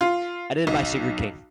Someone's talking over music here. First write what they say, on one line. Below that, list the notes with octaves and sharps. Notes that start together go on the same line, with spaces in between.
Edited by Sigrid King.
F4
B1